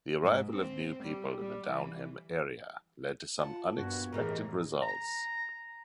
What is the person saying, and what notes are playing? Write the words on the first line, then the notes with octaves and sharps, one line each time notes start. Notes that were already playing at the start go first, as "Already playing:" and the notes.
The arrival of new people in the Downham area led to some unexpected results.
G#2
C4
G3
G3
E3
F4 F#5 A5
G2 A#2 B3 F#4
A2 D#3 E3 G3 G#3 A#4
A#5